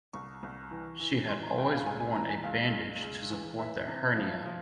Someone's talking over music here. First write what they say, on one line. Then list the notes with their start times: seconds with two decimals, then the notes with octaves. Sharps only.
She had always worn a bandage to support the hernia.
0.13 C2 C#6
0.43 C2
0.71 E3
1.00 E3
1.28 E3 C6
1.43 A#5
1.58 C2 G5
1.72 F5
1.86 C#2 G#5
2.00 G#5
2.15 E3 A#5
2.30 G#5
2.44 C#2 F5
2.73 C#2
3.02 C#2
3.30 E3
3.59 E3 E5
3.88 C3
4.16 F3
4.46 F3